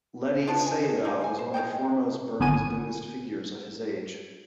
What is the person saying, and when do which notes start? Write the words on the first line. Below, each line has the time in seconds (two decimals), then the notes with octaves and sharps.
Ledi Sayadaw was one of the foremost Burmese Buddhist figures of his age.
0.47 B3 D4 F4
0.66 G#5
1.05 D#4 G#4
1.21 C5 G#5
1.39 C5
1.54 G#3 C#4 D#5 G5
2.40 G#1 D3 B3 C#4 G#5 D#7